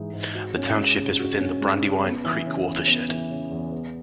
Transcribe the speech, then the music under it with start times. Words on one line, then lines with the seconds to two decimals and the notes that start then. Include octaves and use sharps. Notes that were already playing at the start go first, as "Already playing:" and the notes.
The township is within the Brandywine Creek watershed.
Already playing: G#2 E3 G#3 D#4
0.13 G#2
0.35 F#4
0.56 C#4
0.77 G#3
0.98 C#3
1.19 F#4
1.40 C#4
1.61 G#3
1.82 C#3
2.03 B3
2.24 E3
2.45 C#3
2.67 E2
2.87 B3
3.09 E3
3.30 C#3
3.51 E2
3.72 B3